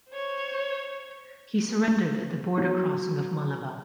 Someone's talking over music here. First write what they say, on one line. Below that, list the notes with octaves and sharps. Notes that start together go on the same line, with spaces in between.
He surrendered at the border crossing of Malaba.
C5 C#5
F#3